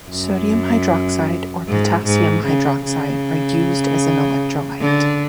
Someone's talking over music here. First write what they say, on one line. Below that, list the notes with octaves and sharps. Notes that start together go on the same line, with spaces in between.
Sodium hydroxide or potassium hydroxide are used as an electrolyte.
F#2
G#2
G#2
C#3
C#3
D3